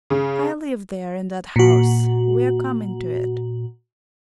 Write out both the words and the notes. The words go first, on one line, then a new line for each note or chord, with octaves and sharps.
I live there in that house, we are coming to it.
C#3
A#2 F#4